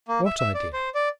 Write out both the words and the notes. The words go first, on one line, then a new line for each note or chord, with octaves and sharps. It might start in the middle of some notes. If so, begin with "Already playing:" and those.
What idea?
A#3
E5
E5
D5
C5
D5